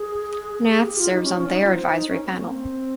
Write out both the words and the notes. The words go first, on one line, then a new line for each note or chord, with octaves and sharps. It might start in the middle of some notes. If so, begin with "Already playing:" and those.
Nath serves on their advisory panel.
Already playing: G#4
G#4
G4
F4
D#4
C#4
C#4
D#4
F4
C5
D#4
C#4
C#4
C4
A#3
C4